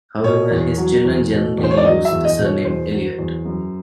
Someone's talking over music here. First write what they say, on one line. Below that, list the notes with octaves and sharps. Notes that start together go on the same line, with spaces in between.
However, his children generally used the surname Eliot.
B2 C#5
E2
F#3
E2
B2
E2
C5
C#5
D5
F#3 D#5
E5
E2
D#5
B2
C#5
E2 C5
F#3
E2
F#2